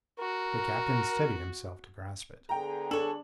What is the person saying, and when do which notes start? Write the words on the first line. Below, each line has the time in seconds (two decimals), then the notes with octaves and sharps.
The Captain steadied himself to grasp it.
0.20 F#4 A#4
2.49 D3 B3 G#4 G5 A#5
2.91 D4 A4 C#5 F#7